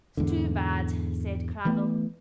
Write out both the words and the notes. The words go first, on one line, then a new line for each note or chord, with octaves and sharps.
"It's too bad," said Cradell.
E2 G#2 D3
E3 A3 B3